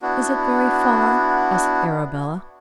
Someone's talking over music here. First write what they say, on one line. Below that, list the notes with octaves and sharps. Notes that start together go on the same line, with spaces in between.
"Is it very far?" asked Arabella.
B3 D4 E4 F#4